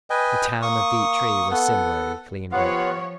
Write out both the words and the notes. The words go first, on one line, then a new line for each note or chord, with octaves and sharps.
The town of Vietri was similarly cleaned up.
B4 D#5 G5 G#5
A#3 C#6 D#6
B3 A4 F#5
F3 B3 F4 G4 C#5 F5 F#5